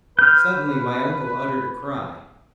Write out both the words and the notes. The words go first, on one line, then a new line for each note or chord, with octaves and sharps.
Suddenly my uncle uttered a cry.
B4 F6 G6